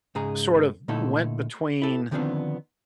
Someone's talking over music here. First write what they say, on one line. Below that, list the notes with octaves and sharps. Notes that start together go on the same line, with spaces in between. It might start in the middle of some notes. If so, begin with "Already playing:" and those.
sort of went between,
G#2 C#3 G#4 A#5
A#2 D3 A3 D#4 E4 A4
E4 A4
D3 D#3 F3 B3 C4 D4